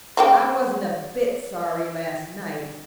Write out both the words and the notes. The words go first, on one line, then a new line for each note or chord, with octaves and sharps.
I wasn't a bit sorry last night.
C#3 A#3 G5